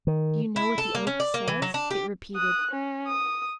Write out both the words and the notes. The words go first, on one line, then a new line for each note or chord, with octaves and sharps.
"Do you know what the oak says?" it repeated.
D#3
E4
A4
A#3
C#4
D5
A#3
E3
F#3
D4
G4
D#6 F#6
C#4
D#6